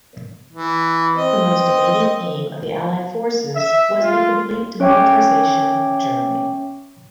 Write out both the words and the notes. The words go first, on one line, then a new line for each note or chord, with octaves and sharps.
The most immediate aim of the allied forces was the complete demilitarisation of Germany.
E3
C4 D#5
E5
F4
C#4 C#5 E5 G5 C#6 D6